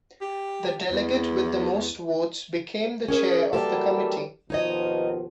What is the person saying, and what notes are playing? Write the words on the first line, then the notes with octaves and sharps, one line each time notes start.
The delegate with the most votes became the chair of the committee.
G4
E2
C#4 G#4 A#4 C#5
E3 F#3 G3 A#3 G4 A4
D#2 B2 F3 D#4 C#5 D#5